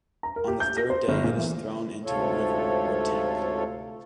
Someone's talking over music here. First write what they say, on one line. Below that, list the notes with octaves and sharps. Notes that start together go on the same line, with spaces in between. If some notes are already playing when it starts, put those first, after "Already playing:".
On the third day it is thrown into a river or tank.
A#5
A#4
G4
G6
A#6
C5
G1
A#2
E3
D2 G#2 C3 F4 A4 C#5